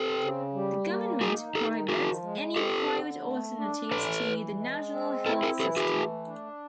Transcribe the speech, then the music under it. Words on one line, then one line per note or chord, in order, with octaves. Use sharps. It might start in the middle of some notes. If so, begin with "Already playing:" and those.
The government prohibits any private alternatives to the national health system.
Already playing: C4 G4 A4
C#3
G3
A#3
D#4 F#4 G#4
D#3 G4 A4
F3 F#4 G#4
G#3
C4 G4 A4
D3
A3
D4
E3 A4 B4
E3
G#3
C4
E4 A4 B4
G#4 A#4
E3 G4 A4
F#4 G#4
A3
D4